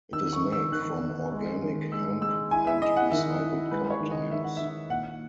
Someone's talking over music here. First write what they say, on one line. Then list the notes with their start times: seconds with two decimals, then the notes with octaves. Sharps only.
It is made from organic hemp and recycled car tires.
0.13 D#3 E6
0.33 C#6
0.42 D#3
0.52 E6
0.72 D#3 F#6
1.02 D#3
1.32 G#3
1.62 D#3
1.92 G#3 E6
2.21 G#3 E6
2.51 E4 G#5
2.67 E5
2.81 E4 D#5
2.96 F#5
3.11 D#3 E5
3.42 E4
3.71 G#3 B4
3.90 C#5
4.00 D#3
4.12 D#5
4.31 D#3 E5
4.44 F#5
4.57 D#3 E5
4.90 A#2 F#5